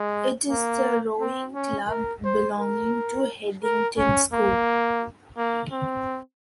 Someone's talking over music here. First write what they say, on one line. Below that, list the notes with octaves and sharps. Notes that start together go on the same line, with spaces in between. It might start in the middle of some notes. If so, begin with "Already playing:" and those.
It is the rowing club belonging to Headington School.
Already playing: G#3
A#3
C4
C#4
A#4
C5
A#4
A#4
C#4
A#3
A#3
C4